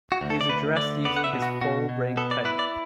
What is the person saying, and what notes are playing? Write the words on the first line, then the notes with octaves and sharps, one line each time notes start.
He is addressed using his full rank title.
F#4
D2
A4
D5
D2 B4
D3 D5
B3 D5
F#5
E5
B2
F#4
B2 F#4
B2
B3 A4
D5
E4 B4
D5